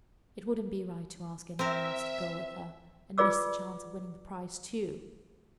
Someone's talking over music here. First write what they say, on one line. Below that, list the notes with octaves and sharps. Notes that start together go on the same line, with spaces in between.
It wouldn't be right to ask any one else to go with her, and miss the chance of winning the prize, too.
C4 A#4 E5
F4 G#4 B4 D5 D6 E6